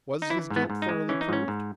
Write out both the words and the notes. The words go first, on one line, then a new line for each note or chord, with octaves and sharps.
Was his guilt thoroughly proved?
D#4
E3 E4
G#2
B3
G#2
D#4
G#3
E3 C#4
D#4
G#2 C#4
G#2